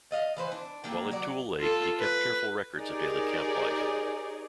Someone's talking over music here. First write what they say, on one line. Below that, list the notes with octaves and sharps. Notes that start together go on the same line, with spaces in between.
While at Tule Lake, he kept careful records of daily camp life.
D5 D#5 F5
E3 B4 C5
D4
F#3 A#3 D4 G5
F#3 F#4 D5
F4 A4
B4
D#4 G4 G#4 A#4 C#5 D5